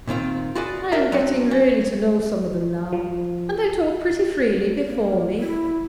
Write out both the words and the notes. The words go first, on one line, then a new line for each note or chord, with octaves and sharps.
I am getting really to know some of them now, and they talk pretty freely before me.'
A#2 D#3 C4 F4
F4 F#4 G#4 B4 D5
D4 A#4 D5 E5 A#5
F#3 C4 D4
C#4
F3
A#3
E4